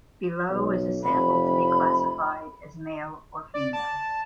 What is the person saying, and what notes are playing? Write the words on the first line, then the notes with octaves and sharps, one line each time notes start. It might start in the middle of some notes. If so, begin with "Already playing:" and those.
Below is a sample to be classified as male or female.
B1
F1 B5
D5
A5